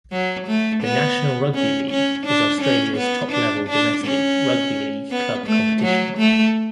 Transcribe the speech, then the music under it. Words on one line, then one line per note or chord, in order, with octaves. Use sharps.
The National Rugby League is Australia's top-level domestic rugby-league club competition.
F#3
A3
B3
C#4
C#4
D4
C#4
B3
D4
D4
C#4
B3
A3
F#3
A3